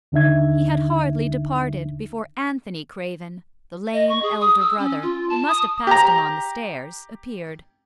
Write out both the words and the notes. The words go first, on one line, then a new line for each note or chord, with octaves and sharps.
He had hardly departed before Anthony Craven, the lame elder brother, who must have passed him on the stairs, appeared.
D#2 D3 D4 D#4 E5 G#6
D#5
C#6
G#4
D#6
E6
C#4
F4
A5
D#6
G4 A#5